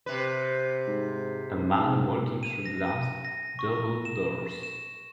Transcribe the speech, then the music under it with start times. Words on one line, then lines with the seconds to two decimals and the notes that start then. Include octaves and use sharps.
A man walking through glass double doors.
0.06 C3 B4
0.87 G#2
1.78 G#2
2.43 D#7
2.66 A#6
3.25 A#6
3.59 C#6
4.05 E7
4.63 E7